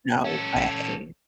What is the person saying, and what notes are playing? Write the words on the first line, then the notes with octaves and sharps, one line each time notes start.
No way.
C#4 A4